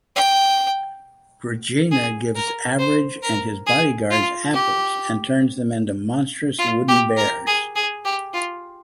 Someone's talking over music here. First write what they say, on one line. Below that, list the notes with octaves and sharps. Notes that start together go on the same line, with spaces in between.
Regina gives Average and his bodyguards apples and turns them into monstrous wooden bears.
G5
G#4
A#4
C5
A#4
G#4
F4
G4
F4
G4
A#4
G#4
G#4
G4
F4